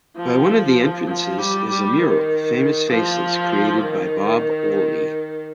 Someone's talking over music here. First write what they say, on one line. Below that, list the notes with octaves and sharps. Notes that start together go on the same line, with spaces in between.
By one of the entrances is a mural, "Famous Faces", created by Bob Olley.
F3
F3
G3
G3
D#3
F3
D#3